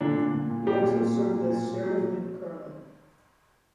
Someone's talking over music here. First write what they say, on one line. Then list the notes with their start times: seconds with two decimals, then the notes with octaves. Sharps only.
He also served as sheriff and coroner.
0.01 A#2 D3 D4
0.17 A#2
0.34 A#2
0.50 A#2
0.67 F#3 G3 G4
0.83 A#2
1.00 A#2
1.16 F#3
1.33 A#2
1.50 A#2
1.67 A#2
1.83 F#3
2.00 F#3